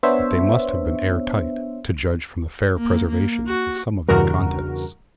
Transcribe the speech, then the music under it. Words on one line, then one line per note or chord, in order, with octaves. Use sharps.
But they must have been air-tight to judge from the fair preservation of some of their contents.
B3 D4 C5 C#5 E5
A#3
A#3
F#4
E2 G2 C#3 F#4 A#4